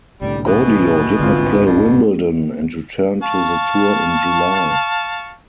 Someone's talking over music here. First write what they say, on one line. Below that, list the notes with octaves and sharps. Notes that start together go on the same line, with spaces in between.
Gaudio did not play Wimbledon and returned to the tour in July.
C2 A2 D3 G3
B2 E3 B3
G1 C2 G#2 D3 C4 F4
G2 B2
F5 A5 C#6